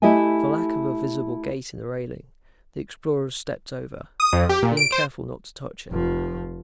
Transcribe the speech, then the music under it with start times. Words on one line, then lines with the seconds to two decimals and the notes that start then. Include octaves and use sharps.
For lack of a visible gate in the railing, the explorers stepped over, being careful not to touch it.
0.02 A3 E4 G4 D#5 E5 G#5
4.20 D#6
4.33 F2
4.49 G4
4.62 A#2
4.77 D7
4.92 C5
5.91 F1 F3